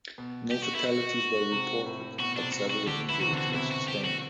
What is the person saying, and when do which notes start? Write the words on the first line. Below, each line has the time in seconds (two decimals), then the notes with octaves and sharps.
No fatalities were reported but several injuries were sustained.
0.18 B2
0.51 G4
0.63 F#4
0.75 E4
0.87 F#4
1.52 C3
1.86 A2
2.20 B2 F#4
2.36 D4
2.42 C3
2.53 F#4
2.64 C3
2.70 F#4
2.87 D3 G4
3.09 E3 E4
3.21 C3 F#4
3.32 D3
3.38 F#4
3.45 B2
3.54 C3 E4
3.71 F#4
3.88 G4
4.05 F#4